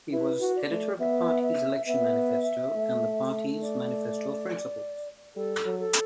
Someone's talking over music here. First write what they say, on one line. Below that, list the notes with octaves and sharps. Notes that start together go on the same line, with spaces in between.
He was editor of the party's election manifesto and the party's manifesto of principals.
E4 B4
F#4
D5
A3
B3 E5
E5
B3 E5
A3
D5
G3 A4
F#3
A4